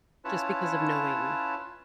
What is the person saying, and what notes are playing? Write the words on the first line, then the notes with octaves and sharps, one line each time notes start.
just because of knowing
C#4 E4 F4 B4 C#5 A5